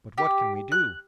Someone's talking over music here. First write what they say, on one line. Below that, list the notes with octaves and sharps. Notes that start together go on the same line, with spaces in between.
"But what can we do?"
G4
F#6